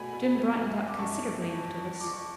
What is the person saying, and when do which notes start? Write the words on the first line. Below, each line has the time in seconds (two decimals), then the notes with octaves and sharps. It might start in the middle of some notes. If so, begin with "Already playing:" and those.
Jim brightened up considerably after this.
Already playing: B2 A3 G#5 B5
0.13 B2
0.35 A3
0.56 F#2
0.77 G#3
0.88 D6
0.98 F#2 A5 C#6
1.19 F#2
1.41 F2
1.63 F2
1.84 F2
2.01 F3 D6
2.13 C#6